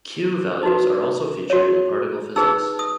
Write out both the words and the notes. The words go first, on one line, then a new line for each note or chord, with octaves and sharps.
"Q" values are also featured in particle physics.
D#4 F#4 B4
F#4 C#5
D#4 G#4 B4 E6
D#6